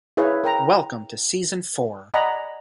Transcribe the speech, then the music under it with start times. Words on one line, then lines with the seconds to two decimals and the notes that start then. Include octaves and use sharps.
Welcome to season four!
0.17 E4 G#4 B4 C#5 F5
0.44 A#4 G5 A#5
2.14 D5 D#5 F#5 G#5 A#5 B5